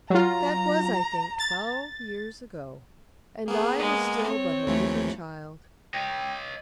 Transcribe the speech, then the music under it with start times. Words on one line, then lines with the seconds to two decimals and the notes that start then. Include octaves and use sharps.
That was, I think, twelve years ago, and I was still but a little child.
0.10 F#3 F4 A#5
1.40 A6
3.48 A#3 B3 G#4
3.78 G#3
4.26 C4 C#5
4.67 D#2 E3 F3 A3
5.94 C#5 D#5 G5